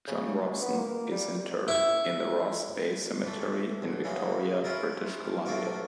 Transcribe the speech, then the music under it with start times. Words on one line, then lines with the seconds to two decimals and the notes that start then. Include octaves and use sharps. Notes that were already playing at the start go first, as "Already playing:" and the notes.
John Robson is interred in the Ross Bay Cemetery in Victoria, British Columbia.
0.07 C#3
0.42 C#2
0.62 B3
0.77 A#3
1.11 G3
1.68 E4 C#6
3.23 E3 A3
3.82 B1
4.04 C#3 E3 F#3 G#3
4.64 C#4 E4 F4 A#4
5.46 B1 F#3 A3 A#3 C#6 D6